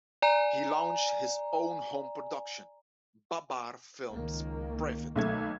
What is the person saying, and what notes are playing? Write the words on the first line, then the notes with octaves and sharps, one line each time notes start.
He launched his own home production; Babbar Films Pvt.
D5 G#5 A#5
C#2 D#3 A#3
B1 A3 G#6